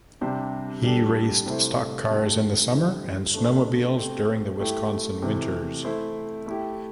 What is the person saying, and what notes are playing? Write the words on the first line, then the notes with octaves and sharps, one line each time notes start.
He raced stock cars in the summer and snowmobiles during the Wisconsin winters.
C3 G3 D4 G4 C5
G3 D4 A4
C3 A3 E4 C5
A2 G3 D4 A4
D3 G3 E4 C5
A3 D4 C5
A3 C4 G4 C5
A3 E4 G4
C3 E3 A3
A3 E4 C5
A3 E4 G4